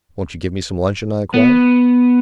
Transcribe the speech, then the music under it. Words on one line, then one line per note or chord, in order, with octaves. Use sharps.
"Won't you give me some luncheon?" I inquired.
B3